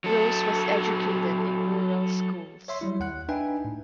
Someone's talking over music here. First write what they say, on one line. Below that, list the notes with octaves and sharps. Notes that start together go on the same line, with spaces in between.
Rose was educated in rural schools.
F#3 A4
C#5 E5 C6
F#3 G3 E4
D#2 F#5 F#6
D4 D#4 B4 E5 G5 G#5
A2